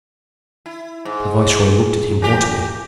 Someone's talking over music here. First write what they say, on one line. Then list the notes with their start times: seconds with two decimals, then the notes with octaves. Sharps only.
The viceroy looked at him haughtily.
0.66 E4
1.05 G#2
2.22 E3 A3 G4